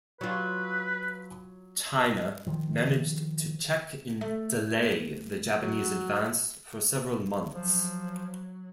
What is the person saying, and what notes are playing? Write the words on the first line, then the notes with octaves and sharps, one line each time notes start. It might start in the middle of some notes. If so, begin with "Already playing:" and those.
China managed to check and delay the Japanese advance for several months.
F#3 F4 B4
D#3 F3
A3
F#3
F3 F#3